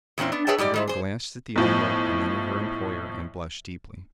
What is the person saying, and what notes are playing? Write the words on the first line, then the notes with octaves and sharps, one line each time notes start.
The girl glanced at the envelope and then at her employer and blushed deeply.
E2 A#2 C4 C#4 E4
B3 D4
G#4 B4 C#5 E5 G5 A5
G#2 G3 G4 D5
G3 G#3 E4
G#4 C5
B1 A2 F3